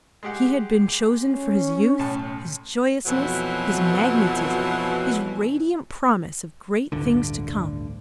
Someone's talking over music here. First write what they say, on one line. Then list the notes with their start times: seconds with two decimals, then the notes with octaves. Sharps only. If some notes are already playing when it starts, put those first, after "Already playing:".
He had been chosen for his youth, his joyousness, his magnetism, his radiant promise of great things to come.
0.23 G#3 G4 F#5
1.26 C#4
1.99 B1 A2 A5
3.05 F2 B2 E3 F#3
6.92 A1 D2 G2 D3